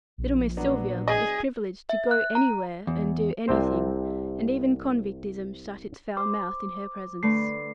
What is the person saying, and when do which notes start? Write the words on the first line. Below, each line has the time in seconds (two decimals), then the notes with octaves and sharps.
Little Miss Sylvia was privileged to go anywhere and do anything, and even convictism shut its foul mouth in her presence.
0.18 A#1
0.57 F#3 B3 D4
1.08 G#4 D#5
1.89 E5
2.11 F#6
2.35 A#5
2.87 E2
3.48 C2 C3 C4 C5
6.17 C5 D6
7.23 D3 A3 B4 C7